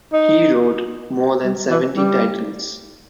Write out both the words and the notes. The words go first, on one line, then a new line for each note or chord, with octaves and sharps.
He wrote more than seventy titles.
D#4
G3
E3
G3